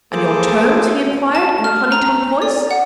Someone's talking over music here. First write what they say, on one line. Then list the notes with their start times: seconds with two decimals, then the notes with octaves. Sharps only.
'And your terms?' he inquired, in a honey-tongued voice.
0.12 A#3 G#4 A4 C5 A5 D6
1.35 A5
1.64 F6
1.92 A#5
2.42 D5
2.71 F#5